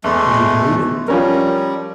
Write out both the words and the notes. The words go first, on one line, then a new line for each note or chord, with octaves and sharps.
Would you believe it?
E2 G#3 A3
F3 G3 C#4 A#4